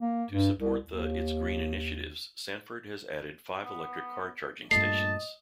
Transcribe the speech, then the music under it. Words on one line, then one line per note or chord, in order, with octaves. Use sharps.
To support the its green initiatives, Sanford has added five electric car charging stations.
A#3
G2
C2
D#2
B3
G2 A#2 A3 D#5 A5 C7